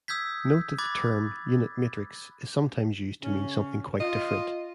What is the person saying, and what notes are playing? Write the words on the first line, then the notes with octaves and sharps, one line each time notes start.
Note that the term "unit matrix" is sometimes used to mean something quite different.
D#6 E6 G6 G#6 B6
B5 D6 F#6 G#6 A6
C#3 C#4
F4 D#5